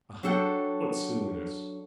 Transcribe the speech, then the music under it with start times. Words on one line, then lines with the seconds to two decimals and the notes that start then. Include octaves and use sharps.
Ah, what silliness!
0.23 F#3 D4 A4 F#5 G5